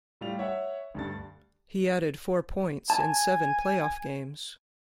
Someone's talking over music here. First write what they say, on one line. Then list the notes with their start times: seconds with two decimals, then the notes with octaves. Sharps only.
He added four points in seven playoff games.
0.21 A2 G3 F4 F7
0.39 C#5 E5 F#5
0.95 D2 G2 A6
2.90 G#5 A5